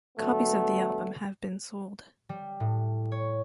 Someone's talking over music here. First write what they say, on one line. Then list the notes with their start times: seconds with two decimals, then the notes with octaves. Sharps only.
Copies of the album have been sold.
0.18 D3 F#3 A3 B3
2.29 G3
2.60 A2
3.12 C#5